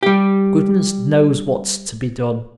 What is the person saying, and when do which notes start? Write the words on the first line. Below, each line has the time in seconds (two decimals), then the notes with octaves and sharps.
Goodness knows what's to be done.
0.03 G3 G4